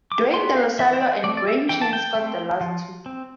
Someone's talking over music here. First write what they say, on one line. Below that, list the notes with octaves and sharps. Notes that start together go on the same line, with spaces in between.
Dwayne De Rosario and Brian Ching scored the last two.
D6
B3 C6
F5
E3 E5
C5
D5
A3 C4 D5
D5
E5
E3 G5
A5
G5
A3 C4
F3
C4